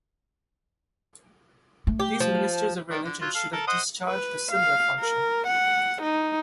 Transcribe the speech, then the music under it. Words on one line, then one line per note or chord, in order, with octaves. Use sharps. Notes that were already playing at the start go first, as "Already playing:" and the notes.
These ministers of religion should have discharged a similar function.
A3
G4
F3
D#3 D5
D3
F#3 F4
A4 F5
A4 A#4
C5 D#5 F#5
B4
F5
A#4
F#5
D#4